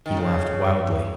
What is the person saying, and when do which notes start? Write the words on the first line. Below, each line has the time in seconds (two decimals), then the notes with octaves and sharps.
He laughed wildly.
0.06 D#3
0.17 C#3